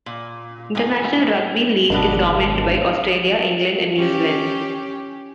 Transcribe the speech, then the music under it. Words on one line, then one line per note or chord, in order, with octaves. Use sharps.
International Rugby League is dominated by Australia, England and New Zealand.
A#2
A2 G#5
G#1 B2 D4 A5
C#4 G4